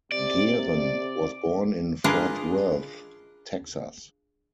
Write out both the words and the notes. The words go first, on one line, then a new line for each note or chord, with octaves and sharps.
Geren was born in Fort Worth, Texas.
C3 D5
D4 F4 G#4 A#4 B4 D#5